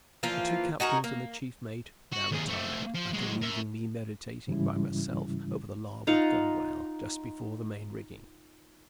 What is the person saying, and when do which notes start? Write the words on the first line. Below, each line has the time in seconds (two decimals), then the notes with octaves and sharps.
The two captains and the chief mate now retired, after leaving me meditating by myself over the larboard gunwale, just before the main rigging.
0.23 E3 F3 A#3 F4
0.80 D#4 F#4 G#4 A#4
1.04 A#3
2.13 F#4
2.32 D#2 G#4
2.49 A3 C4
2.94 F3
3.13 F#3 G#3
3.42 A#4 E5
4.48 G#2 C#3 E3 G3 C#4 E4
6.07 D#4 F4 F5 F#5